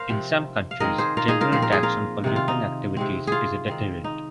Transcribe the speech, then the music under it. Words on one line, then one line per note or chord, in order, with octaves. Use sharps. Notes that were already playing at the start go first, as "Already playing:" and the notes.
In some countries, general tax on polluting activities is a deterrent.
Already playing: A#4 C5 F5
C3 F3 C4
F5
D#3 G#3 C4 A#4 D#5
G#4 C5
F4 A#4
D#4 G#4
F4 A#4
A#2 F3 C4 C5
A#4
G#4
F4 A#4
C3 D#3 C4
F4
D#4
C3 G#3 C4
F4 G#4
D#3 C4
D#4